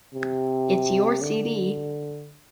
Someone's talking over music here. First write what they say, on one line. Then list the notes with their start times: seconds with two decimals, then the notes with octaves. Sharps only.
It’s your CD.
0.14 C3
1.21 D3